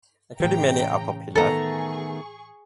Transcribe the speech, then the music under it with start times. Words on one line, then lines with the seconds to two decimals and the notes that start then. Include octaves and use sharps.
Including many are popular.
0.40 A2 C#3 E3 G5 A#5
1.35 D#3 A3 B3 G#4 A4 A#5 C#6